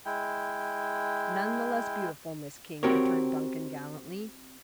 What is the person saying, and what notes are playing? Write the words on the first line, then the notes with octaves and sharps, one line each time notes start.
"None the less beautiful, Miss King," returned Duncan gallantly.
G#3 E4 G5
C4 F#4 G4 A#4 C#5